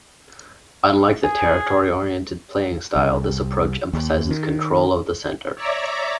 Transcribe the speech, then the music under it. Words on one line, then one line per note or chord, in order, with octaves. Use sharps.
Unlike the territory-oriented playing style, this approach emphasizes control of the center.
G#4 G#5
C2
D#2
D#3
C#5 D5 E5 A#5 D6